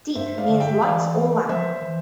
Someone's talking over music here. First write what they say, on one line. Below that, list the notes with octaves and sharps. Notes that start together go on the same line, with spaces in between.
"Deep", means "light" or "lamp".
G2 C5 E5
D5 F5
D3
F5
E5 G5
E3 D5 F5
F3 C5 E5
E3